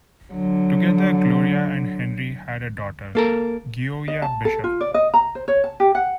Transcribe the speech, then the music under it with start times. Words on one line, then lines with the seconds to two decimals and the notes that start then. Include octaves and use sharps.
Together Gloria and Henry had a daughter, Gioia Bishop.
0.32 D3 F#3
3.15 A#3 A4 A#4
4.08 D#5
4.22 A5
4.45 A4
4.64 F4
4.81 D5
4.94 D#5
5.14 A#5
5.35 C5
5.48 C#5
5.64 A5
5.80 G4
5.95 F#5